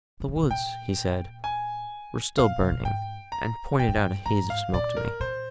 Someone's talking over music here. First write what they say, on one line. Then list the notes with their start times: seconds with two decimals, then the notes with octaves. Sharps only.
The woods, he said, were still burning, and pointed out a haze of smoke to me.
0.20 F3
0.28 D#3
0.36 D3
0.43 C3
0.50 A#2 G5
1.44 G#5
2.38 A#2 F5
2.59 C3
2.72 A#2
2.85 G#2 G5
3.32 A#5
3.79 G2 G5
3.88 G#2
3.97 G2
4.26 G#2 A#5
4.50 F5
4.73 A#2 D5
4.97 A#4
5.20 A#2 C5